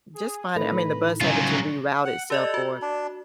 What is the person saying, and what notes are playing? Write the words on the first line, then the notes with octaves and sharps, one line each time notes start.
just fine. I mean, the bus having to reroute itself or
G#4
A2 D#3 B4 A#5 B5
C2 C#3 F#3 F4 G#5
F#5
G4 A4 D5 D#5
F#4
D4